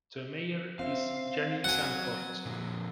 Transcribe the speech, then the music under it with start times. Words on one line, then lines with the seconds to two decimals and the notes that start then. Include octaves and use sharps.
The mayor is Jennie Sanford.
0.79 C4 C5 E5 F5
1.64 F#3 F#5 G#5
2.46 A#2 D3 F3